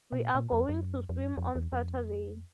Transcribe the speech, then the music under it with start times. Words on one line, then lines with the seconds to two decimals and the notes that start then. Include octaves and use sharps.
We are going to swim on Saturday.
0.12 B2
0.18 A#2
0.35 A#2
0.52 F2
0.69 F#2
1.09 F2
1.21 F#2
1.37 F2
1.55 E2
1.72 F2